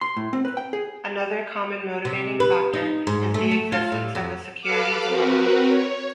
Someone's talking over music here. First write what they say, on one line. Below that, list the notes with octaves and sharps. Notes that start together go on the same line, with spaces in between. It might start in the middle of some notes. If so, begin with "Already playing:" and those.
Another common motivating factor is the existence of a security dilemma.
C6
A2
C4
B4
G5
G#4
C3
B4
D#4
G#2
A3
A3
F4
A2
F2
A4 B4 F5 D6
C4 F#4 A#4 B4
C#5